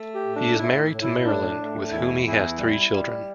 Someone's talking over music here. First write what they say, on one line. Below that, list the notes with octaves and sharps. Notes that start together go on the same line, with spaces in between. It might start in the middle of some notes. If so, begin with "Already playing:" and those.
He is married to Marilyn, with whom he has three children.
Already playing: A3
G4
A2
D4
A2 E4
A2
E4
A2 D4
A2
E2 E4
E2 E4
G3
G3